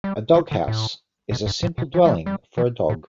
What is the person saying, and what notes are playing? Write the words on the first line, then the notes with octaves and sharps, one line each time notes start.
A doghouse is a simple dwelling for a dog.
G3
E3
D3
A2
B2
G2
A2
B2
E3
G3
E3
G3
E3
A2